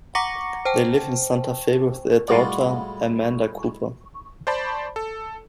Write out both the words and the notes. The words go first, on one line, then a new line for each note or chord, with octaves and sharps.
They live in Santa Fe with their daughter, Amanda Cooper.
F#5 A#5 C#6 D6 A#6 C#7
C5 G5 A5
A2 G3 G#3 F4 F#4 D5
C5 D5 A5 B5
A4